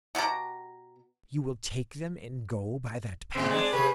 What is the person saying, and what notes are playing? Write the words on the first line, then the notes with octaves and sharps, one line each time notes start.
"You will take them and go by that path?"
B2 F#4 G4 A#5
A2 C#3 C4
G#3 B3 D4
C3 G#4 B4